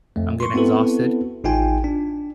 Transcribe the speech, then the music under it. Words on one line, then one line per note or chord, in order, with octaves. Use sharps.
I'm getting exhausted,
F2 A3
C6 C#6
B3 C4 E4 F#4 A4 B4
A1 D#4 F4 G5 G#5
D4